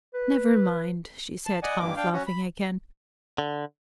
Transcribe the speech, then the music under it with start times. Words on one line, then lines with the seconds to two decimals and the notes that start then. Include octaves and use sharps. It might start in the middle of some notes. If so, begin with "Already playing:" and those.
"Never mind," she said, half laughing again.
0.14 B4
1.46 A5
1.63 D5 D#5 F#5 G#5
1.80 G2 D#3 E3 A#3 D6
1.96 D4 F5 G5
2.13 F#3 C#4 F#4
2.27 B5
3.38 D3